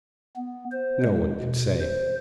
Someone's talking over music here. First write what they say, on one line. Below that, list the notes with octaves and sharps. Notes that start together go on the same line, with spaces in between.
No one could say.
B3
C5
G#3
B2
C5